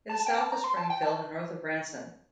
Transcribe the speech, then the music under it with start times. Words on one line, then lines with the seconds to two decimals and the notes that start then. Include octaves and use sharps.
It is south of Springfield and north of Branson.
0.09 A5
0.27 G5
0.38 A5
0.52 A#5
0.64 C6
0.77 A5
0.90 G5
1.03 A5